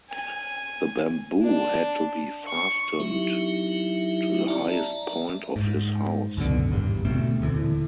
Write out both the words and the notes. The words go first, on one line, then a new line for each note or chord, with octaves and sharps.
The bamboo had to be fastened to the highest point of his house.
G#5
D4
C#6
F#3 C4 D#4 E4 G4 E5
D5 E5 A5 A#5
G#2
C#2 F#2 B2 D3
G#1 E2 G2
D2 B2 A3 C4
D#1 D2 D3 E3